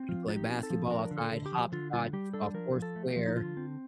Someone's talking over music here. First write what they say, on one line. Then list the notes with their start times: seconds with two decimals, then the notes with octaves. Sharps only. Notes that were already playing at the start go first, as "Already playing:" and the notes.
We'd play basketball outside, hopscotch, uh, foursquare.
Already playing: C4
0.09 F3 F4
0.28 D#4 F4
0.36 G4
0.50 C4
0.63 A4
0.70 F3
0.90 D4 A#4
1.11 D3
1.18 A4
1.31 D3
1.46 G4
1.52 F3
1.72 D3 F4
1.93 G3 F4
2.13 G3 G4
2.34 D4 A4
2.54 F3 A#4
2.75 F3
2.82 A4
2.96 A3
3.09 G4
3.16 F3
3.27 D#4
3.36 D3 F4
3.57 C4